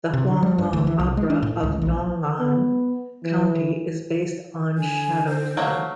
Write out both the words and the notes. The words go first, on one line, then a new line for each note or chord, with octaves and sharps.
The Huanglong opera of Nong'an County is based on shadow play.
C3
D3
G3
G2
D2
E3
C2
G#3
D4
A2
C#2
A#1
B3
E3
D3 G#5
C5
F#3 A3 A#3